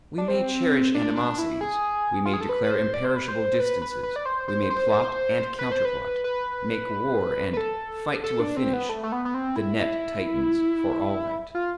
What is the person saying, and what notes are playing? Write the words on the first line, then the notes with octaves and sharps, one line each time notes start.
We may cherish animosities, we may declare imperishable distances, we may plot and counter-plot, make war and "fight to a finish;" the net tightens for all that.
D4
C4
D4
D4
E4
G#4
F4
G#4
A4
B4
B4
C5
D5
C5
B4
C5
B4
B4
B4
D5
C5
C5
C5
C5
B4
C5
B4
B4
B4
A4
A4
D4
C4
B3
A3
A3
B3
B3
C4
E4
F4